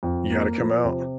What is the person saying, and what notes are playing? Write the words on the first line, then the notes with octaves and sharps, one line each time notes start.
You gotta come out.
F2
A#3
F3
C3